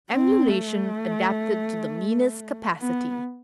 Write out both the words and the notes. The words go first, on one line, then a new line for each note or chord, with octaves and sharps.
Emulation adapted to the meanest capacity.
C4
A3
B3